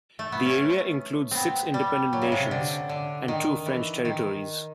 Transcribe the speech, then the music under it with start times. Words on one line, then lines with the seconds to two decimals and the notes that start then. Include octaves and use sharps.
The area includes six independent nations, and two French territories.
0.19 A3
0.32 B3
0.45 C#4
1.31 B3 C4
1.74 G3
2.13 F#3
2.22 C#3
2.32 C3
2.51 D3
2.89 D3
3.28 D#3
3.66 E3
4.05 D#3